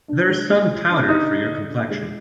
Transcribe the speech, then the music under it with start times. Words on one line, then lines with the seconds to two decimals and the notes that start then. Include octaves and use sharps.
There's some powder for your complexion.
0.08 D4
0.29 G#3
0.49 G#3
0.70 G#3
0.89 D4
1.09 D3 D#4
1.29 D4
1.49 D3
1.70 D3
1.90 G#3